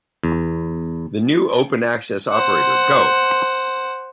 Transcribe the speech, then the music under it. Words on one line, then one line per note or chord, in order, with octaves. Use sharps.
The new open-access operator Go!
E2
C5 F#5